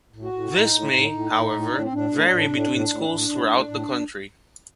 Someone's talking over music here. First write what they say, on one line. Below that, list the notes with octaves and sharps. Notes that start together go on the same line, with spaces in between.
This may, however, vary between schools throughout the country.
A2
F#4
A2
A2 D#4
A2
A2
A2
A2
A2
A2 D4
C4
A2 D4
A2
A2
A2
A2
A2
A2
A2
A2
A2